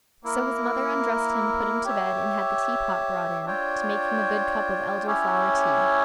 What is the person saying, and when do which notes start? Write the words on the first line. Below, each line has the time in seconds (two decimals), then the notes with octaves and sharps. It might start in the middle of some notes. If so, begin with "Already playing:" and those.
So his mother undressed him, put him to bed, and had the tea-pot brought in, to make him a good cup of Elderflower tea.
0.23 A#3 E4 A#4
1.85 G4 C#5 E5
3.46 D4 F4 C#5 G5
5.06 C#4 E4 G4 C#5